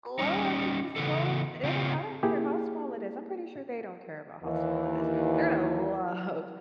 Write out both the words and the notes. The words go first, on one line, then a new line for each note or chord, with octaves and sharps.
Love to just go t they don't I don't care how small it is. I'm pretty sure they don't care about how small it is. They're gonna love
G3 C#4 D#4
C#3 E3 B3 A4
C#3 C4 F4
A#3 E4 G4 G#4
D#2 E3